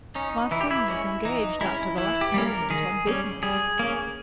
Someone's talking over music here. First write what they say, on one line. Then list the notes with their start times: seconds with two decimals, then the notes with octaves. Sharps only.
'My son was engaged up to the last moment on business.
0.15 C#4 D#4
0.51 E3 E4
0.61 G4
0.71 E4
0.88 G#3 C#4
1.25 E3 D#4
1.61 G#3 C#4 E4
1.97 E3 E4
2.21 G4
2.34 G3 A#3 C#4
2.46 A#4
2.70 D#3 G#4
3.07 G3 C#4
3.43 G3 G#4
3.79 A#3 C#4